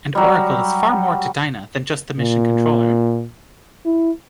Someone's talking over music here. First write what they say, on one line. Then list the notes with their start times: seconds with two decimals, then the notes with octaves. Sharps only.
And Oracle is far more to Dinah than just the mission controller.
0.15 F#3 G3
2.19 A#2
3.85 E4